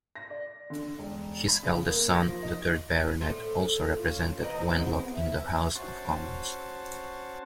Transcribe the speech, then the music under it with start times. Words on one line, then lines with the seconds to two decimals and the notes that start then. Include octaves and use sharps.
His eldest son, the third Baronet, also represented Wenlock in the House of Commons.
0.15 A#6
0.30 D5
0.70 D3
0.99 E1
1.48 B5
1.63 C#3
1.88 A#3
2.15 A#6
2.27 F3
2.42 D#4
3.20 A2 A3 C5
3.96 C#4 F4
4.41 E3 C4 B4 D#5 A#5
4.70 B3 C4 E4 G#4
5.14 E5
5.75 C#4 F#4 C5 A5